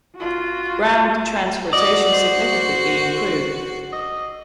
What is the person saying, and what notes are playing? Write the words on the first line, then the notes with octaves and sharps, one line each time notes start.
Ground transportation significantly improved.
F4 F#4
F#4 D5 D#5
C5
D#5